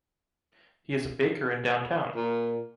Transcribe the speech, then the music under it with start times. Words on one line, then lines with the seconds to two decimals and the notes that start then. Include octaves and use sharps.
He is a baker in downtown.
2.16 A#2